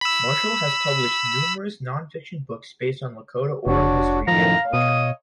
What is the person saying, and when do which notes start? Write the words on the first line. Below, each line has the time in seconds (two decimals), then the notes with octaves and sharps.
Marshall has published numerous non-fiction books based on Lakota oral history and culture.
0.01 B5 E6
3.66 F1 D4 F#4 C#5
4.28 F#2 A2 D#3 F3 F5 A#5
4.73 B2 C#5 D#5 D#6